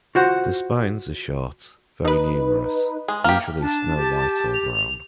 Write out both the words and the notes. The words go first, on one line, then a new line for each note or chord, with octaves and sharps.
The spines are short, very numerous, usually snow white or brown.
F4 F#4 C5 F#5
D#4 B4
G#3 G#4
A#3 G4 F6
D4 A5
G4
F7